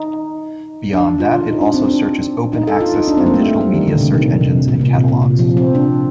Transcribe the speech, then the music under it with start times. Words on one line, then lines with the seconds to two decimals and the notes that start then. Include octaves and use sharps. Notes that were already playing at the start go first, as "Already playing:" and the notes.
Beyond that it also searches open access and digital media search engines and catalogs.
Already playing: D#4
0.93 D4
1.20 F4
1.47 D#4
1.61 D4
1.74 C4
1.88 D4
2.53 D#4
2.67 A4
2.81 F4
2.94 D#4
3.08 D4
3.17 C4
3.26 A#3
3.34 A3
3.61 G3
3.74 D#3
3.88 D3
3.95 A#2
4.01 C3
4.14 D#3
4.41 C3
4.68 A#2
4.81 C3
4.95 A#2
5.08 A#2
5.22 C3
5.39 F3
5.57 C4
5.75 D4